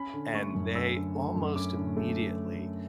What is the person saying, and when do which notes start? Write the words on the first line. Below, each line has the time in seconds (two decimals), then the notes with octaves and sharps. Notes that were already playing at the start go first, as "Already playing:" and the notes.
and they, almost immediately
Already playing: C#4 B5
0.14 D3
0.34 A3 C#6
0.55 F#2
0.75 C#4 E6
0.95 D3
1.15 A3
1.36 F#2
1.56 C#4 D6
1.77 D3
1.97 A3